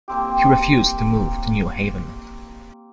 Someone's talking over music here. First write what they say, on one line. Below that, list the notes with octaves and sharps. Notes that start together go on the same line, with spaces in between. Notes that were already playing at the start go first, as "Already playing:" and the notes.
He refused to move to New Haven.
A#3 C4 G4